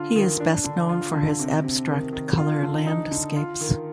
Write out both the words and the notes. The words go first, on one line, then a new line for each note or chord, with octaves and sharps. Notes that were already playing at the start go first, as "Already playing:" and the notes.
He is best known for his abstract colour landscapes.
Already playing: D3 F4
D#3
D4
D3
F4
D3
C3
C3
D#3
D#3
F4
D3
D#4
D3
F4
D#3